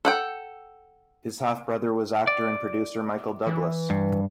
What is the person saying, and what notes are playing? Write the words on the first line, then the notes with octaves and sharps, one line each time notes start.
His half brother was actor and producer Michael Douglas.
A4 F#5 G5
D5
E3
G2